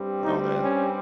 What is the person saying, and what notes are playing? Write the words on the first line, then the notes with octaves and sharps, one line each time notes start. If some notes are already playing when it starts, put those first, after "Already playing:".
Aw, man.
Already playing: G2 G3 C4
D#4
C#4